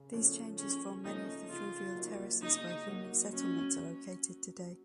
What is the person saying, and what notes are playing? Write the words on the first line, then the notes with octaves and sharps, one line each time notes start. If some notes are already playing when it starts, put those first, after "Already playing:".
These changes formed many of the fluvial terraces where human settlements are located today.
Already playing: C#3
F3 A3 C#4
C#3 C#4
F3 A3 C#4 D#4
C#3 F4
F#3 A#3 D#4 F#4
C#3 D#4
F#3 A#3 D#4 F#4
F#3 C#4